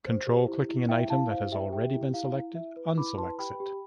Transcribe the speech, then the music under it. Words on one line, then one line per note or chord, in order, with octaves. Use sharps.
"Control-clicking" an item that has already been selected, unselects it.
C5
G4
E4
E4
E4 E5 G5
E4 F5 A5
C5 F5
G4 E5 G5
G4 E5 G5
E4
E4 F5
E4
E4 E5
B4
E4 B5 D6
B4 A5 C6
G4 G5 B5
G4